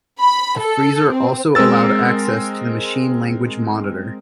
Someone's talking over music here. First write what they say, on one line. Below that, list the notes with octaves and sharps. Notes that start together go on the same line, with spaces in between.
The freezer also allowed access to the machine-language monitor.
B5
A4
C4
G#3 C4 A#4 E6 A6